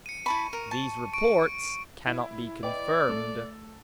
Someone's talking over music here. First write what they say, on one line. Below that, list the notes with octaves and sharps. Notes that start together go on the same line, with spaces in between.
These reports cannot be confirmed.
C#7 D#7
E4 A5 B5 C#6
A#4
A5
C#6 D7
E4
B4 D5 D#5 G5
A3 A4